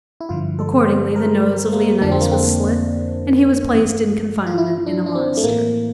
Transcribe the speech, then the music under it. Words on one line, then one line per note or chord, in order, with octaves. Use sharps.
Accordingly the nose of Leontius was slit, and he was placed in confinement in a monastery.
E4
G2 D3 F3 F4
A4
C5
A#4
A3
A#3
F2 D3 F3 D4
C4
A#3
C4
G2 E3
F4
E4
D4
D4
C4
A3
A2 E3 A#3